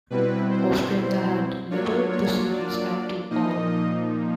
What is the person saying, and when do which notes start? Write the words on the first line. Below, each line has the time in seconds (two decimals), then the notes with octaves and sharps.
Australia had levelled the series at two-all.
0.10 B2 G3 C4 E4 B4
0.50 C5
1.70 F#3 A#3 D4 F4 C#5
2.11 C#5
2.51 D5
3.30 A#2 F3 A#3 D#4 D#5